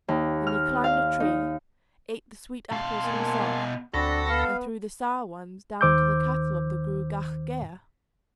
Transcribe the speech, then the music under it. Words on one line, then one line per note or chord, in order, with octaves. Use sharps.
Then he climbed a tree, ate the sweet apples himself, and threw the sour ones down to the cattle of the Gruagach Gaire.
D#2
F6
F5
D#4
B2 F5 A5 C6
A#3 G#5
D2 C4 D4 F#4 A4 B5 A#6
B3 F5
D#2 D#3 C5 D6 E6 G6